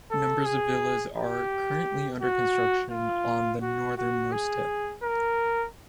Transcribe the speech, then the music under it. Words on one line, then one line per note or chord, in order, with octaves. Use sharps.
Numbers of villas are currently under construction on the northernmost tip.
A4
G#4
G4
F#4
F4
F#4
F#4
G#4
A#4